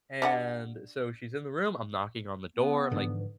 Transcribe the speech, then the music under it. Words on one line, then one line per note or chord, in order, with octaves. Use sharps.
and so, she's in the room, I'm knocking on the door, I'm like,
G3 D4 F#5
B3
G#2 D3 E3 F3